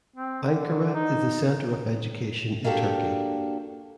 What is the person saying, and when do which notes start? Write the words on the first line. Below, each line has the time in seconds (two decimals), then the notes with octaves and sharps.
Ankara is the center of education in Turkey.
0.16 C4
0.43 D3
0.95 D#4
2.64 A#3 D4 F#4 G4 A4